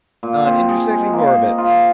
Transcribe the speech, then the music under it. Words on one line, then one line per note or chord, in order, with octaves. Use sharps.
On intersecting orbit.
A#2
C4
G#4
G#3
A#3
D#5
F4